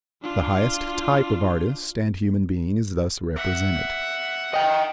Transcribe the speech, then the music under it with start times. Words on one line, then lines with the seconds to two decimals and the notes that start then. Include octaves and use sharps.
The highest type of artist and human being is thus represented.
0.22 D4 F4
3.36 E5 F#5
4.54 D#5 G5